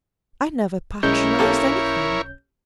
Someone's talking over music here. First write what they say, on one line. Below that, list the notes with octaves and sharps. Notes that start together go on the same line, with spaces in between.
I never patronised anything.
B1 G#3 C#4 E4 A#4 C#5 G6
A#3 G4 A4